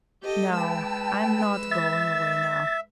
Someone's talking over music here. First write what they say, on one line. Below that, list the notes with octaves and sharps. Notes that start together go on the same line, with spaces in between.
"No, I'm not going away now."
G4 A4 D#5
G#3 B4 G5 A5 E6
E5 A6